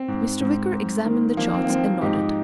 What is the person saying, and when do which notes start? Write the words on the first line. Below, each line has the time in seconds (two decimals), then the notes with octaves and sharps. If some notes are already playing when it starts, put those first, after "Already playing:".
Mr. Wicker examined the charts and nodded.
Already playing: C4
0.08 G#2
0.41 G#2
0.72 G#2
1.05 D#3
1.37 F3 A#3
1.54 C4
1.64 A#3
1.69 F3 C4
1.85 C4
2.01 G#2 D#4 G4